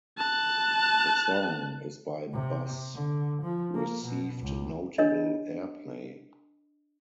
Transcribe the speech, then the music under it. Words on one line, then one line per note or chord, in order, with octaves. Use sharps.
The song, Is by Bus received notable airplay.
A5 F#6
C3
D3
F3
A#3
B2
C#2
D4 A#4 C#5 D#5